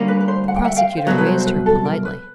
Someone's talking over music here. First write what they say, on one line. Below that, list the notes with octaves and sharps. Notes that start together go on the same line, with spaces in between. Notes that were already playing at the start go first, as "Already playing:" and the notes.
The prosecutor raised her politely.
Already playing: D2 D3 G3 A#3 C#4
B4
B4
C5
F#5
G5
E5 F#5
F5 G5
C5
C2 B2 F#3 B4 C#5
B4
C5
C5
B4
A4
A#4
B4